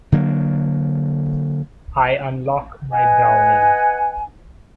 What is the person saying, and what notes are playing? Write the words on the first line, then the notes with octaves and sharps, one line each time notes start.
I unlock my Browning!
D3 F#3 A#3
B4 D#5 F#5 G#5